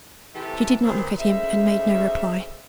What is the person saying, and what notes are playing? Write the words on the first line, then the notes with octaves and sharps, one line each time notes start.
She did not look at him, and made no reply.
C3 E3 A3 C4 G4 A4
A#2 D#3 B3 C4
D2 C#3 D#4 C5 E5